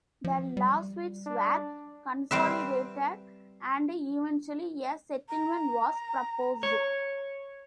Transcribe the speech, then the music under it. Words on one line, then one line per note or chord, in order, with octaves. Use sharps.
The lawsuits were consolidated, and eventually a settlement was proposed.
F3
G3
D4
G3 C4 B4 E5
A#5
C#5